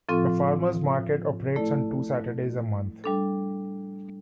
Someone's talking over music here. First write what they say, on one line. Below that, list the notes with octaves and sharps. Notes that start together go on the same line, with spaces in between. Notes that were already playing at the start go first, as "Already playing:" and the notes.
A farmers' market operates on two Saturdays a month.
A2 F3 C4 F4 A4
A3 E4 A4 D5
G3 D4 A4